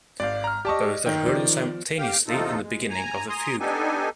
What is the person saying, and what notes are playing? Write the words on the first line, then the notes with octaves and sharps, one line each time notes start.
Both are heard simultaneously in the beginning of the fugue.
G#1 D5 F5 G6
A#5 F6
G4 D5 D#5 A5 C#6
D#3 G5
F3 D5
G4 F5 G5
E2 C3 D#4 F4 A4
G#3
G#5 A#5
G#5 A#5 C6 D#6
B3 D4 D#4 G4 A4 G#5